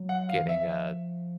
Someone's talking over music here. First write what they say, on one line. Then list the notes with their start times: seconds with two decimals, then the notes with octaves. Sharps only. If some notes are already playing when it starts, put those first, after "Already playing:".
getting a,
Already playing: F#3
0.09 F#5
0.29 F5
0.34 D#3
0.42 E3
0.48 F3 E5